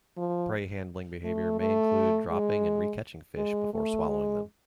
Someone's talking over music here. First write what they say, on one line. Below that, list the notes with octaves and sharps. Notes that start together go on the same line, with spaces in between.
Prey handling behavior may include dropping and re-catching fish before swallowing them.
F3
A3
A3
G#3
G#3
A3
G#3